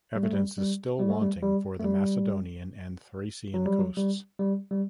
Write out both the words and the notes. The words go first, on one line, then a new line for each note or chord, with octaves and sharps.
Evidence is still wanting for the Macedonian and Thracian coasts.
G3
A3
G3
G3
G3
A3
G3
G3
A3
G3
F#3
G3
F#3
G3
G3
G3